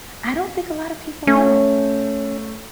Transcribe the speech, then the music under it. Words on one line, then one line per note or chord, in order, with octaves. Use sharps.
I don't think a lotta people know.
A3 C#4